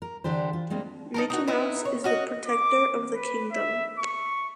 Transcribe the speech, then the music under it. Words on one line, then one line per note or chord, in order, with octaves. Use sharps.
Mickey Mouse is the protector of the Kingdom.
A#4
D3 E3 D4 G4 C5
F4
G3 G#3 A#3 C4 D4
D#4 A4 A#4
D#4 F#4
B3 D#4 E4
C#5
C#4 F#4 D#5
D6
B4
E5
C#6